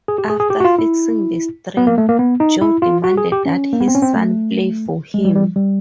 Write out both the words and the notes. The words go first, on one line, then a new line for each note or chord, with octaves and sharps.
After fixing the string, Joe demanded that his son play for him.
G#4
G4
G#4
G#4
G4
F#4
F4
E4
B3
A#3
A3
A#3
B3
D#4
E4
F4
F#4
G#4
G4
C#4
A#3
B3
C4
C#4
C4
A3
G#3
G3
G3
G3